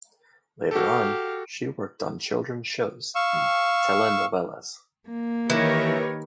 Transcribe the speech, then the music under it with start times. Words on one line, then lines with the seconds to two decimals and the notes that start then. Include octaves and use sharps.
Later on, she worked on children's shows and telenovelas.
0.71 F#4 G4 A4 F5
3.15 F5 C#6 E6
5.09 A#3
5.50 D#3 E3 G4 A#4 B4 C#5